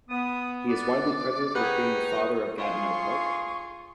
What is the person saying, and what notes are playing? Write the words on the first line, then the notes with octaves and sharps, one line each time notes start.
He is widely credited with being the Father of Gatineau Park.
B3 D#6
D5
D#4 G4 G#4 B4 C#5 F#5
F4 G#4 C#6